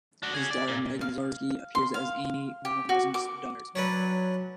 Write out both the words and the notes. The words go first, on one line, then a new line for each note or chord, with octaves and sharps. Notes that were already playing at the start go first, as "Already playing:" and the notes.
His daughter Meg Mazursky appears as Amy, one of Morrison's daughters.
D4 F#4
G#4 C#5
D5
A#2
F5
C6
F5
G4
F#4
D6
F#3 C#4 D4 B4